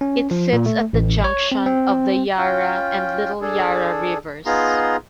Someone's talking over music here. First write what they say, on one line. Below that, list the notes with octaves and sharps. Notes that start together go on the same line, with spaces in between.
It sits at the junction of the Yarra and Little Yarra Rivers.
C#4
F3
A#2
A3
A1
C#5
C4
C4
C#4 F4 G5
D4 G#4 A4
B3 D#4 F4 G#4 A#5 C6